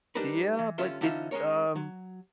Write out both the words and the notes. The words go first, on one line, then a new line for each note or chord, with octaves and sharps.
Yeah, but it's, um
G3 D4 D#4 A#4 B4
E3
G2 D3 C#4 F4 E5 C6
D3 E3 C#4 D#4 F4 E5
G#3 C#4 A#4 C#5
F#3